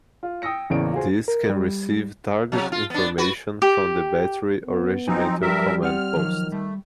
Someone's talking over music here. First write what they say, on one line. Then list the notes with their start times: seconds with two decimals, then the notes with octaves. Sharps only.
This can receive target information from the battery or regimental command post.
0.23 F4
0.42 G5 D#6 E6 A#6 C#7
0.70 A1 E2 C#3 A#3 D5 D7
0.93 F4 F#4 G#4 C5
1.28 A#4
1.50 G3
2.52 C3 F#3
2.72 F4
2.90 B3 D4
3.18 F#4 B4
3.62 G4
4.67 B3
5.08 F3 F#3 C4 D#4 G#5
5.42 G2 G3 A#4 E5
5.82 C4 F#5 F6
6.17 D#3 F3 F#3
6.52 G3 A3